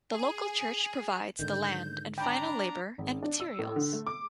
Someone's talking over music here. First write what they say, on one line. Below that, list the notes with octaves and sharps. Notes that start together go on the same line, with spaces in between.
The local church provides the land and final labor and materials.
G#4
G#2 D3 D#3 G6
D4 G5 A#5 B5
G#1
D4
E6
A2
D3
A3
D6